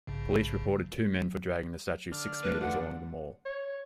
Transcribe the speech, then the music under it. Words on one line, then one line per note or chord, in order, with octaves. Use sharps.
Police reported two men for dragging the statue six metres along the mall.
A#1 G#2 C#3
D3 F6
A3 B4
F2 D3 F#5
C#5